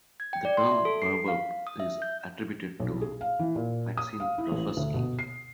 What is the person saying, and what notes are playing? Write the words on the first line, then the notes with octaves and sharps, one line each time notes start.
The term perverb is attributed to Maxine Groffsky.
G#6
G5
D5
C6
E5
A4
C7
F5
D#6
E5
G6
B1
G#4
F5
E3
A#2
D#6
F5
E4
A1
D2
B2
C7